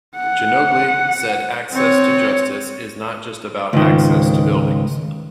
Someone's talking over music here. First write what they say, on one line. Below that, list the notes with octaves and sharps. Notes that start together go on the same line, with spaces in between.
Djanogly said Access to justice is not just about access to buildings.
F#5
C4 C#5
C#2 G#2 D#3